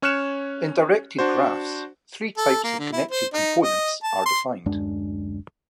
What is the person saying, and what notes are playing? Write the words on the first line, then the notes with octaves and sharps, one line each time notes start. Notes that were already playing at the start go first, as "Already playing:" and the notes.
In directed graphs, three types of connected components are defined.
C#4 C#5 F6 F#6 C#7 E7
D4 F#4 C5
A4
A#3
D3
E4
C5
D#4
D#5
A5
C6
D1 F#2 G#3 D4